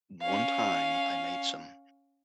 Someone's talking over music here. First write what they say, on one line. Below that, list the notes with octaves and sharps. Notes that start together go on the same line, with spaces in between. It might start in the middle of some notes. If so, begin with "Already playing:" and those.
one time, I made some
C#4 F5